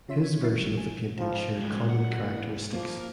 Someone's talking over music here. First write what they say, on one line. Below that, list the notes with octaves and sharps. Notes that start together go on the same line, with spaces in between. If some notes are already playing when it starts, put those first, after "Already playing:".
His version of the painting shared common characteristics.
C#3 F4 C#5 E5 C6 B6
C#6 G#6
F#3 C#4 E4 C#6 A6 C7
G1 F3 G3
G#5
F3
F#2 G3 G#3
F#5
E2
F3 A#3